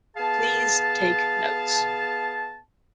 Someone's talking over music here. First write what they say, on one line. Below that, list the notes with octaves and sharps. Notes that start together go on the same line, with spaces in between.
Please take notes.
B3 G#4 F5 A5